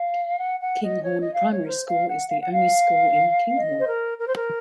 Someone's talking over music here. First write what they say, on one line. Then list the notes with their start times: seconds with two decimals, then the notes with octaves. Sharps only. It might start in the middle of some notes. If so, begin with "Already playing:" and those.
Kinghorn Primary School is the only school in Kinghorn.
Already playing: F5
0.40 F#5
0.61 F#5
0.82 D#5
1.04 C#5
1.19 D#5
1.34 F5
1.51 C#5
1.62 A#4
1.66 C5
1.88 F5
2.08 F#5
2.29 F5
2.40 F#5
2.51 F5
3.56 D#5
3.79 C5
3.87 A#4
4.19 A#4
4.26 C5
4.35 A#4